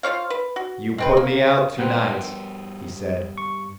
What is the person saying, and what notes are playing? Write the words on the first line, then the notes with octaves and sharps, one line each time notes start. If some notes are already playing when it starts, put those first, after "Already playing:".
"You put me out to-night," he said.
F4 C5 C#5 F5
B4
F#4
G#3 C4 B4
A#3
G2 B3 C4 A#4 B4
C#6